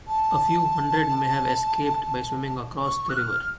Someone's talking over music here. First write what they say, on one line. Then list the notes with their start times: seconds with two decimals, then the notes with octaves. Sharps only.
A few hundred may have escaped by swimming across the river.
0.07 A5
2.82 C#6
3.09 F#6
3.17 F6